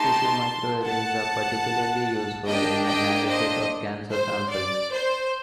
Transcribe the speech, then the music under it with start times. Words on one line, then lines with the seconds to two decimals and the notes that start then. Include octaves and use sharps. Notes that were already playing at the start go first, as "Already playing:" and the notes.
Tissue microarrays are particularly useful in analysis of cancer samples.
Already playing: A3 D#4 G4 A5 C6
0.82 F#5 A5
2.47 A#3 D4 G4 D#5 G5
2.87 D#5 G5
3.28 C5 D#5
4.11 C5
4.51 D5
4.93 C5